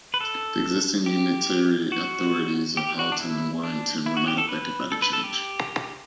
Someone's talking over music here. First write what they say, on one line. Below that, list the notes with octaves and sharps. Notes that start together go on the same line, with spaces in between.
The existing unitary authorities of Halton and Warrington were not affected by the change.
B4
A4
G4
F#4
G4
F#4
D4
E4
D4
E4
F#4
G4
A4
B4
A4
B4
A4
G4